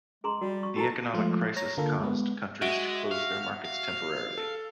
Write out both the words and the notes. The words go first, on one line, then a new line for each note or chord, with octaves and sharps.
The economic crisis caused countries to close their markets temporarily.
G#3 G#4 A#5 C6
G3 F#4
C#6
F#4 A4 G#5 A#5
F3 G#3 A3 F4
C#5 A#5
D3 A#3 F4 A4
G#3 B3
G#3 F#4 E5 D7
F5
F5
A4